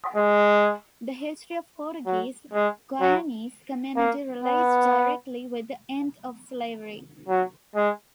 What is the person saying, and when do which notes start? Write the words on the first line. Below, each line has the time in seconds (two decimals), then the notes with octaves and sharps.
The history of Portuguese Guyanese community relates directly with the end of slavery.
0.16 G#3
2.06 F#3
2.54 G#3
3.01 F#3
3.96 A#3
4.44 B3
7.28 F#3
7.76 G#3